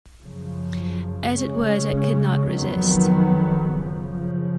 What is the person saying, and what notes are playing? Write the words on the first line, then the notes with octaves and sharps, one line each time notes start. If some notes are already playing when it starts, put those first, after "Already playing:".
As it was I could not resist.
F#2 C#3 F3
C#3 G#3 C#4
F2 D#3 F#3 B3
F#2 C#3 F3